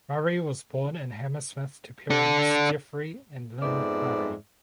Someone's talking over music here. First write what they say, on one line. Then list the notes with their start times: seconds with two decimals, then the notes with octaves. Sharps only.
Murray was born in Hammersmith to parents Geoffrey and Lynne Murray.
2.10 D4 A4
3.62 F2 G#2 B3 D5 E5